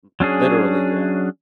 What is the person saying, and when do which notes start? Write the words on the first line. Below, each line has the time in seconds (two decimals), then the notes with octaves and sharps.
um, literally, uh
0.20 F#3 C#4 D4 G#4